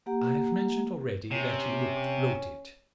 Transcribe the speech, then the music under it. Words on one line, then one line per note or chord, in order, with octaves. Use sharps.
I have mentioned already that he looked bloated.
A#3 G4 F#5 A#5
C3 C#4